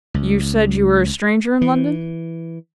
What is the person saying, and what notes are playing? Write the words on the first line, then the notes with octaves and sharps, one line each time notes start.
'You said you were a stranger in London?'
C#2
E3